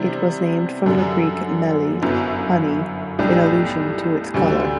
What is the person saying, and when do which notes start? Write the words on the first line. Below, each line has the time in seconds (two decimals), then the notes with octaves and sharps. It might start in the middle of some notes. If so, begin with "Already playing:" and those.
It was named from the Greek "meli" "honey", in allusion to its color.
Already playing: C3 E3 G3 B3 D4
0.86 F#2 D3 G3
2.02 G1 F#2 F#3 B3 E4
3.19 B1 A2 G3 D4 G4
4.34 D2 D3 G3